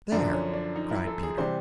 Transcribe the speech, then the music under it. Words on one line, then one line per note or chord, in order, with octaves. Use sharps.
"There!" cried Peter.
F#2 D3 F3 D4
C#4
D4
D#4
E4
A4
G#4
C3 E3 G3 C5